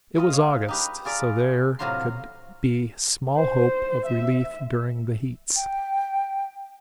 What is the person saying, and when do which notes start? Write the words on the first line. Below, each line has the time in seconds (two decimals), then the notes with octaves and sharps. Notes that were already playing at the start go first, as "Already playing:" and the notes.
It was August; so there could be small hope of relief during the heats.
0.16 G#3 F4 D#5
0.30 C#5 F5
0.68 D#4 G4 B4
1.05 F4 G#4 D5 A#5 B5
1.79 A2 C3 F#3 F4 A#5 C6
3.37 C5
4.06 E5
5.56 G5